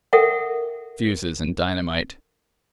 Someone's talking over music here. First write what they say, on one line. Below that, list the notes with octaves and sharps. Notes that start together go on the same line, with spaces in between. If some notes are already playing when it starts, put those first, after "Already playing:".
Fuses and dynamite.
A4 A#4 E5 F#5 G5